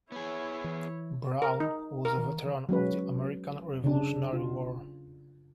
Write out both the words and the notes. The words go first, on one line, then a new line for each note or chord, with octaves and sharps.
Brown was a veteran of the American Revolutionary War.
B3 E4 G#4 C#5
E3
A#4
D#4
A#4
F#3 G#3 C#4 B4
C#3 D4
F4